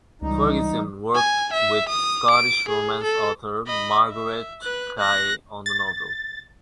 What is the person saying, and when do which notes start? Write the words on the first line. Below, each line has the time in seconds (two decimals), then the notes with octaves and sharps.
Ferguson worked with Scottish romance author Marguerite Kaye on the novel.
0.22 C#2 E3 G3 D#4
1.15 G#5
1.53 E5
1.89 D#6
2.31 D7
2.69 G#4
3.04 A4
3.66 D#5 B5
4.11 E5
4.62 B4 F#6
4.98 F#6 A#6
5.66 A6